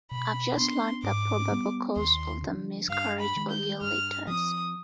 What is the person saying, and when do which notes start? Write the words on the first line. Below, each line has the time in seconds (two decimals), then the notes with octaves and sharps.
I have just learnt the probable cause of the miscarriage of your letters.
0.11 B2 B5
0.57 B3 D4 C6
1.03 G#2 D6
1.51 G3 B3
1.96 D#2 C6
2.43 D3 F3
2.88 G2 F5
3.20 B5
3.36 D#3 G#3
3.51 G6
3.81 G2 F6
4.27 F3 C4 D#6